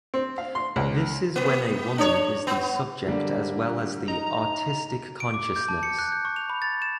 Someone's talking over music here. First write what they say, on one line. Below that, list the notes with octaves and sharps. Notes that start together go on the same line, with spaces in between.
This is when a women is the subject as well as the "artistic consciousness".
C4
F5
C6
C#2
A#3
D4 C#5
B3
D3 G3 A#3
D#4 A#5
D7
D6
G6
A5
C#7
F#6
G6
C#6
F7
B5
A6
E7